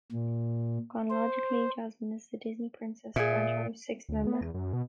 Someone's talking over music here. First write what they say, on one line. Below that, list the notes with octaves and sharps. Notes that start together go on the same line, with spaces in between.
Chronologically, Jasmine is the Disney Princess franchise's sixth member.
A#2
C5
A#2 G#4 E5
D2
B3
E2
F#2
B2